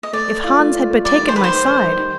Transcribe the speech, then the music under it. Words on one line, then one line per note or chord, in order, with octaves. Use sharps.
If Hans had but taken my side!
D#5
A3 D5
A3
F4
A3
F4
A3
G3 D5
D#3
C5
G3 B4
C5
D#3
D#3
G3
D#3